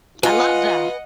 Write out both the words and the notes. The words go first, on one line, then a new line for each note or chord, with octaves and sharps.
I love that.
F4 B4 D#5 F#5 G#5 F#6